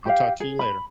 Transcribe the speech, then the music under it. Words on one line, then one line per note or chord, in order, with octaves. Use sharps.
I'll talk to you later.
G4 F5
G#4
B5